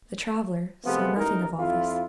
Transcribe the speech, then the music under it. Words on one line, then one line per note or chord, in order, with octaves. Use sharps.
The traveller saw nothing of all this.
C3 F3 G#3 A3 B3
A1 E2 D#4 A#4
F2 E4 F4